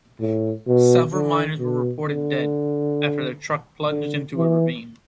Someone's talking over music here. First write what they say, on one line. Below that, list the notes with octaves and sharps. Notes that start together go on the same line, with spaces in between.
Several miners were reported dead, after their truck plunged into a ravine.
A2
B2
D3
B2
D3
D3
E3